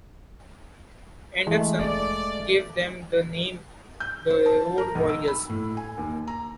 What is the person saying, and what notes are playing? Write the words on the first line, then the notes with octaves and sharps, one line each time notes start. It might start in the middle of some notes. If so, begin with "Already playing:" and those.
Anderson gave them the name the Road Warriors.
E3 G#3 A3
F1 D5
G6
C5
A5
A#4
B1
E6
B5
A2
G#5
D#2
A#5